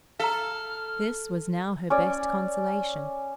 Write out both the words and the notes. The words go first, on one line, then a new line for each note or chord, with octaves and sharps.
This was now her best consolation.
A4 F5 A#5 F6
C#4 D5